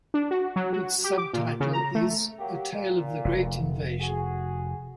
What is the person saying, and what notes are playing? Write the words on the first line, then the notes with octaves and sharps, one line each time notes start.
Its subtitle is "A Tale of the Great Invasion".
D4
F#4
F#3
F#4
G4
D6
A#2
C#3
A#5
A3
F#3 A#3 G4
A#2
F1
F#4 G#4